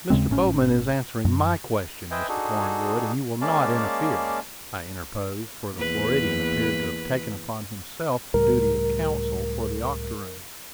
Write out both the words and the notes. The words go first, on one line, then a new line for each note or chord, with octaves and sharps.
"Mr. Bowman is answering my question, Mr. Cornwood, and you will not interfere," I interposed, for the Floridian appeared to have taken upon himself the duty of counsel for the octoroon.
D#2 C#3 G#3 C4
G#1 A2 C#4
F#2
B4 C5 D#5 E5 G5 G#5
D4 D#4 F#4 G#4 A4
G#3 A#3 C#4 D5 F5 A5
E2 A#3 B4
C#2 A2 G3 A#4